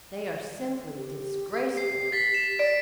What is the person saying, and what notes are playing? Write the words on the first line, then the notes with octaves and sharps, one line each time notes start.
They are simply disgraceful.'
G4
C7
A6 B6
E7
D5 D7